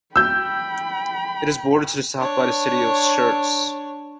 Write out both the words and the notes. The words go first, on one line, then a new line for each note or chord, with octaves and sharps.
It is bordered to the south by the city of Schertz.
G5 B5 E6 G6
D4 C#5